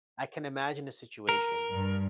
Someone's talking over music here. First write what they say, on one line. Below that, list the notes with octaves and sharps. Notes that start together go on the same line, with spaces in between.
I can imagine a situation
A#4
G2